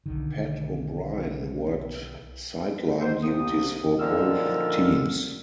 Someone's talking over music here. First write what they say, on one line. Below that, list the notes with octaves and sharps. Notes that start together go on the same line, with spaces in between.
Pat O'Brien worked sideline duties for both teams.
B1 D3 D#3
G#2 C5
C2 D#6
A#2 D3 D#3 F3 E6 F6